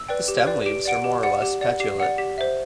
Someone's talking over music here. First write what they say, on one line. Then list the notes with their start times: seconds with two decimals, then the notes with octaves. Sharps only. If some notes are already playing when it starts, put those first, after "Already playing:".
The stem leaves are more or less petiolate.
Already playing: E6
0.09 B4 D5 G5
0.28 G4
0.47 B4 D5 G5
0.66 G4 D7
0.85 D5 F#5 D7
1.04 G4
1.23 D5 F#5
1.42 G4
1.61 D5 F#5
1.80 G4 C7
2.00 D5 F#5
2.18 G4 B6
2.38 C5 E5